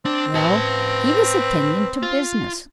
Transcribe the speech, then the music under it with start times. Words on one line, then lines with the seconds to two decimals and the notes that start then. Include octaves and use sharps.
Well, he was attending to business.
0.05 C4 D4
0.35 B4 A5
2.03 F4